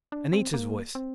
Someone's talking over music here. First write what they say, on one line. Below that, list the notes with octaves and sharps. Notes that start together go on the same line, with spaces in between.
Anita's voice!
D4
C4
A#3
C4